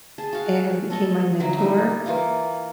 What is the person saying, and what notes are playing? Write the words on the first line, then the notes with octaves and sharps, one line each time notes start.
and became my mentor,
G#4 A5
F#4 F5
A4 C#5 D#5
D3 F#3 D#4 E4
G3 D#4
E3 A#3 E4 F4